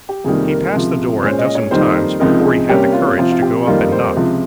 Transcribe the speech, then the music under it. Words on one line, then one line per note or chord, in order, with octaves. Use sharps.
He passed the door a dozen times before he had the courage to go up and knock.
G4
F2 C3 D#3 G3 A#3 G#4
A#4
C#2 C3 F3
A#2 G#3 C#4 C5
D#5
C#5
F2 D#3 G3 A#3 D#4 C5
C#2 C3 F3 C4 D#4 A#4
G#4
C3 G3 A#3 C#4 G4
F4
C3 F3 C4 F4
F4
G4
F2 D#3 G3 A#3 D#4 F4
C5
C#2 C3 F3